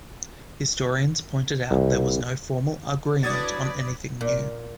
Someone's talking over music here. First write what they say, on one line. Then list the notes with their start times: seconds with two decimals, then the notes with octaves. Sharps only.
Historians pointed out there was no formal agreement on anything new.
1.71 C2
3.23 A2 D4 F#4 B4 D5 D#6 G#6 A6
4.21 A#2